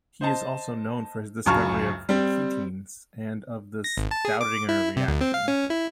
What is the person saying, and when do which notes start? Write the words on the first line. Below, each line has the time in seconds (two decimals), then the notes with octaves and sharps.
He is also known for his discovery of ketenes and of the Staudinger reaction.
0.21 C5 D#5 A5
1.46 D1 C#2 F#2 A5 C#6 F6
2.09 G3 C4
3.84 A#6
3.98 G#1
4.11 A5
4.25 G#4
4.41 D6
4.69 E4
4.96 C3
5.08 D2
5.21 C4
5.34 F5
5.48 C#4
5.70 E4